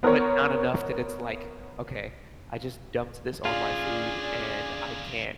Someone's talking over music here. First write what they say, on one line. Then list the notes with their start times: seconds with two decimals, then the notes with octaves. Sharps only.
but not enough that it's, like, "Okay, I just dumped this on my food and I can't
0.03 B3 A#4 C5 C#5
3.45 D#2 D3 C#4 D4 F4 G#4 D5